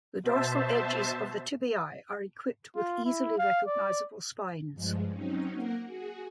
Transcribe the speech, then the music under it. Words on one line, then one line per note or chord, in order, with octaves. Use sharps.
The dorsal edges of the tibiae are equipped with easily recognizable spines.
B2 C5 E5 A5
F4
E4
F5
D5
G2 F3 G#3
F#3 C4 C#4 D#4
A#3 A#4 F#5
F#4 G#4